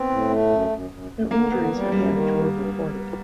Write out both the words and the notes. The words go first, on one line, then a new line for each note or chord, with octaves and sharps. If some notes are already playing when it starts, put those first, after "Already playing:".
No injuries or damage were reported.
Already playing: B3 C4
A2
A3
F#2
F#2
F#2
F#2
D3 A#3
D3 B3
G3
F#2 G3
D#3
G2
G2